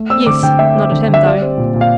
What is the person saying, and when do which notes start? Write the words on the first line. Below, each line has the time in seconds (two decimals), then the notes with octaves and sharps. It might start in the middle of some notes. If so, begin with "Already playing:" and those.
'Yes; not at him, though.
Already playing: A3
0.10 C4 E6
0.27 D3 D6
0.43 D3 G5
0.59 A3 E5
0.76 C4
0.92 D3
1.08 D3
1.14 E5
1.25 G3 D5
1.42 C4
1.58 A#2
1.74 A#2
1.81 F5